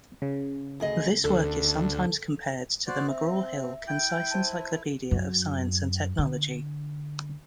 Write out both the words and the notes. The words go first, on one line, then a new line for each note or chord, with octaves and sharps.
This work is sometimes compared to the "McGraw-Hill Concise Encyclopedia of Science and Technology".
C#3
D2 G#4 D#5
D2 A4
F#4 C5 D5
C4 E5
E4 G5
C5 A5
F#2
D3